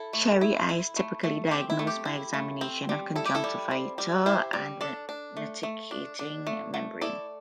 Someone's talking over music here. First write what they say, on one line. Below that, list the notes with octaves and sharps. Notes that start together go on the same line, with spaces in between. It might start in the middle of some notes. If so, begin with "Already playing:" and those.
Cherry eye is typically diagnosed by examination of the conjunctiva and nictitating membrane.
Already playing: E4 A4
A3
E4
E4
A3
A3
C4 G4
E4
A3
G4
E4
A3
C4
G3
E4 A4
G4
E4 A4
G3
C4
G3
E4 G4 C5
G3
D4 A4 D5
D4
A3
A3
D4
D4
A3
A3
E4 A4 D5